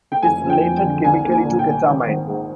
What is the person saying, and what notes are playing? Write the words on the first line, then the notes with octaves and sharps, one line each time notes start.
It is related chemically to ketamine.
G5
F1 G#5
F3
G5
F2
G5
D3
C2 G#5
A#3
G#5
A#2
G5
G3
G#1
G#1
G#2